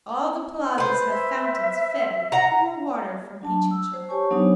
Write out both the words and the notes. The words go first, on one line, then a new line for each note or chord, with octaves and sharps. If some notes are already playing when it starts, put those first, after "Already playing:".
All the plazas have fountains fed with pure water from Pichincha.
B4 C5
E5
F#5 A#5
F#3 D4 A5
E6
C5
G4 C5 C#5 G#5 A5 C#6
F#3 B3 D4 D#4 C#5